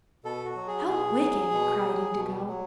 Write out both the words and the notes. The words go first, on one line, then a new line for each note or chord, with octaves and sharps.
"How wicked!" cried Indigo.
B2 A4
F#4
F#3
G#4
B2 G#4
F#3
B2
F#3
B2
F#3